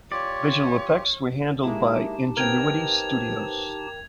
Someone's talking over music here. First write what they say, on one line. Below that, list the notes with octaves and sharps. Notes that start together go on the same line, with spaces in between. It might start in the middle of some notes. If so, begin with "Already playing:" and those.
Visual effects were handled by Ingenuity Studios.
F4 G4 C#5 D5
G#3 A#3 D#4 E4 G4 A5
B3 C4 A#4 D#5 G5 G#6 F7